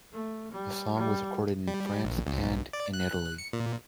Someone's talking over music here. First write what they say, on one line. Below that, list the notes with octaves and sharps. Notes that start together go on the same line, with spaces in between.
The song was recorded in France and in Italy.
A3
G3
G3
G3
A#1
C#2
B1
D5
F#6
C#7
A#2